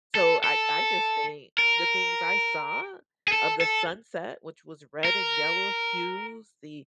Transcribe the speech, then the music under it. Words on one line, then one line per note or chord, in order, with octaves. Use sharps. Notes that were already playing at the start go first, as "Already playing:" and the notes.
So I I just think the things I saw of the sunset, which was red and yellow hues, the
A4
A4
A#4
G#4
A4
A4
A#4